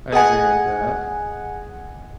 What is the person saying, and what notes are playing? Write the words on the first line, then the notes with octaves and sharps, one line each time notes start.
I agree with that.
G#4 D#5 F#5 G#5